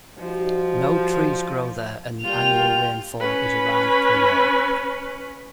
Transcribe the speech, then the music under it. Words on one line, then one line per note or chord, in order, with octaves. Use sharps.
No trees grow there and the annual rainfall is around per year.
F3 G3 D#4 F#4
G3 A#3 F4 G5 F7
C#4 B4